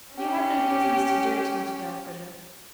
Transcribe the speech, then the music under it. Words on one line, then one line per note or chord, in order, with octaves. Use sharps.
"You had no business to do it," muttered Elfreda.
C#4 G4